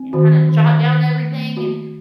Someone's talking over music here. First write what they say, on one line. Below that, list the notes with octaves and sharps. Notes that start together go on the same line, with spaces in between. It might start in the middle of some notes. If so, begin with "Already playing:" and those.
and kinda jot down everything and,
Already playing: C4
D#3 F#4
D#3
D#3
A3
A#3 F#4